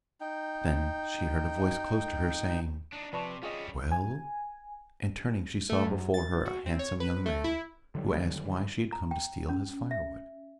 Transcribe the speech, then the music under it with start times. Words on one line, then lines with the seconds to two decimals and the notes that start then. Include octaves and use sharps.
Then she heard a voice close to her saying, 'Well?' and turning she saw before her a handsome young man, who asked why she had come to steal his firewood.
0.21 D#4 G5
2.93 D4 D#4
3.13 C3 F3 B4 D5 A5 C#6
3.43 G3 C#4 F4 G#4 D#5
3.92 G#5
5.70 A3
5.86 F#2
6.14 A6
6.46 F#4
6.66 C4
6.79 C#5
7.00 B4
7.26 A3
7.44 E4
7.95 D3 D#3 F#3 G3
8.92 A#5
9.11 G5
9.49 C#4
9.91 E5